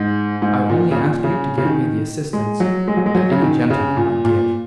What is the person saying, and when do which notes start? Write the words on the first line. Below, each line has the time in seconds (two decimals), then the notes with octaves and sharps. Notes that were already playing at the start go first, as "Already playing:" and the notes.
"I only ask you to give me the assistance that any gentleman might give."
Already playing: G#2
0.42 G#2
0.69 A#2
0.91 C#3
0.96 A#2
1.24 C#3
1.58 C#3
1.65 D#3
2.33 G#3
2.60 F#3
2.88 G#3
2.97 F#3
3.06 G#3
3.15 F#3
3.31 C#3
3.42 D#3
3.70 C#3
3.97 A#2
4.25 A#2